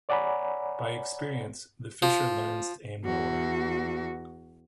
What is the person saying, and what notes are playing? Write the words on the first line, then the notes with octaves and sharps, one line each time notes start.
By experience, the fisher learns to aim lower.
C#5 D5 F#5 G#5 A#5 B5
F3
E2 F#4